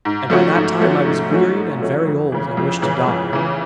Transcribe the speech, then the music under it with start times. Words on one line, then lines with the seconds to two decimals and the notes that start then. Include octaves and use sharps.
And by that time I was wearied and very old, and wished to die.
0.05 G#2
0.30 F3 A3 C#4 F#4
0.55 G#2
0.80 F3 A3 C#4 F#4
1.06 G#2
1.31 F3 A3 C#4 F#4
1.56 G#2
1.81 F3 A3 C#4 F#4
2.07 F2
2.32 C#3 E3
2.57 F2
2.82 C#3 E3
3.07 F2
3.33 C#3 E3